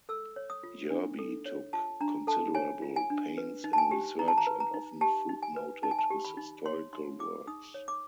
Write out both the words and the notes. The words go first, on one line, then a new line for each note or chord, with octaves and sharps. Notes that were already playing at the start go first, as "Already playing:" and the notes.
Yerby took considerable pains in research and often footnoted his historical works.
A4 E6
C#5
D#6
F4
D4
A4
C#5
F4 A5
D4 A#5
A4 A5
C#5 G#5
F4
G#5
D4
B4
D#4
A5
G#5
G4
D#4 A#5
A5
A#5
B4
A#5
D#4
G4 A5
D#4
G#5
B4
D#4 A5
G#5
A5
G4
B5
D#4
C#5 C6
D#4 C6
G#4 D6
D#4 D#6
C#5
D6